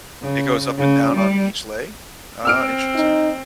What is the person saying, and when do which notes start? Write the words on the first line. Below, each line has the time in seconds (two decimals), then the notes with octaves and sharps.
It goes up and down on each leg? Ah, interesting.
0.22 C#3
0.78 C#3
1.14 G3
2.45 C4 E6 F6 D7
2.95 D#4